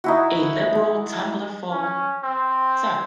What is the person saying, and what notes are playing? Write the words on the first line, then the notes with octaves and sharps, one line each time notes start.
A liberal tumblerful, sir.
D#4 E4 F#4
C#4
C4